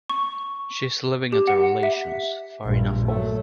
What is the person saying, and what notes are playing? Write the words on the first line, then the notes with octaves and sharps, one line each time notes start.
She’s living at a relation’s, far enough off.
C#6
G4
F#5
E5
A#1 G2
F#3 A3